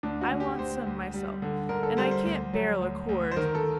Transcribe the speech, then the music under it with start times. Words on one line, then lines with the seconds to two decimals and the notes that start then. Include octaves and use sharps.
I want some myself, and I can't bear liqueurs.
0.03 D2 D4
0.21 F#4
0.31 D2
0.40 G4
0.59 D2 C5
0.86 D2
1.14 G3
1.42 D3
1.69 D3 A#4
1.83 A4
1.97 G3 C5
2.11 C5
2.25 D2
2.53 F#3
2.81 D2
3.09 D2
3.31 C5
3.36 D#3 A#4
3.55 A4